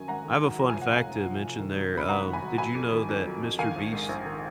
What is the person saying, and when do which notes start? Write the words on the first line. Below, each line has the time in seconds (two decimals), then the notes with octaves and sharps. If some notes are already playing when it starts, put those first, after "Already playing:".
I have a fun fact to mention there, um, did you know that MrBeast
Already playing: F#2 D#3 F#3 G#5
0.08 G#1 F#5 A#5
0.25 D#3
0.42 F#3
0.59 F3 A#5
0.70 G#5
0.75 F1
0.82 F#5
0.92 F2 F5 G#5
1.09 F1
1.25 F3
1.42 F1
1.59 D#3
1.75 F#3
1.92 F#2
1.97 B5
2.09 G#1 F#5 A#5
2.26 D#3
2.33 G#5 B5
2.42 F#3
2.58 F#3 G#5 B5
2.75 F2
2.92 D#3
3.09 F2
3.26 F#3
3.42 F2
3.59 D#3 F5 G#5
3.76 A#1
3.93 G#2
4.09 A#1
4.26 D#3